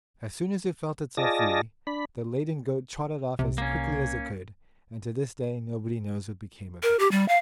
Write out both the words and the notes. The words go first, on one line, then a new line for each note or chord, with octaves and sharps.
As soon as it felt itself free, the laden goat trotted off as quickly as it could, and to this day nobody knows what became of it.
F4 G#4 D5 D#5 A5 A#6
D4 B5
C2 C3
A#3 C#4
A#4
G4
G3
F5